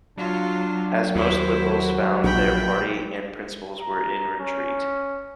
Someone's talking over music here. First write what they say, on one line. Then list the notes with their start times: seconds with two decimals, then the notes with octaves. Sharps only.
As most Liberals found their party and principles were in retreat.
0.18 F#3 D4 F4
1.15 D#2 E4 F#4 C5
2.24 A#1 G5 B5
3.80 A#5
4.40 C#4